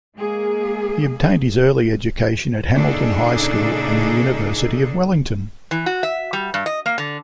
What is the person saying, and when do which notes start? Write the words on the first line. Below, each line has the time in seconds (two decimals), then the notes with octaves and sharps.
He obtained his early education at Hamilton High School and the University of Wellington.
0.18 G#3 A#3 G#4
2.74 A#2 C#3 D4 D#4 G#4 A4
5.71 E3
5.86 F#4
6.03 E5
6.33 G3
6.54 G2
6.66 D#5
6.86 A#3
6.98 D3